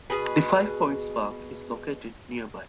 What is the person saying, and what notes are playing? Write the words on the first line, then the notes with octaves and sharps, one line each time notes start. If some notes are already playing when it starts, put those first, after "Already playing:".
The Five Points Park is located nearby.
B2 G#4 B4